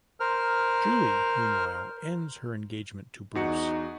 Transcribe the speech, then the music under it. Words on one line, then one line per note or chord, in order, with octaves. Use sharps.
Julie, meanwhile, ends her engagement to Bruce.
A#4 C5 F6
E2 D#4 F#4 C#7